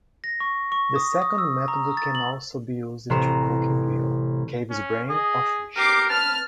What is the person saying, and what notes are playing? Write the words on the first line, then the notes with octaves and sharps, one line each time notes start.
The second method can also be used in cooking veal, calves' brains, or fish.
A#6
C#6
C#6
D#6
D#6
E6
A#5
A6
F#7
A1 C3 A#5 C7 D#7 E7
C#4
G#4 D#5
G4 A#4 D6 C7 D7
B4 A5 F6